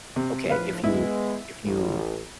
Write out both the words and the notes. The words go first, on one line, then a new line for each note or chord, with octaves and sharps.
okay, if you if you
C3
A#1 A2 F3 B4 F5
G#3 B3 E4
A1